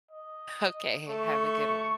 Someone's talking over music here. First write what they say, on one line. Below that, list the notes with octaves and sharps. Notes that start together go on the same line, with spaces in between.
Okay, h have a good one.
D#5
A3 C#6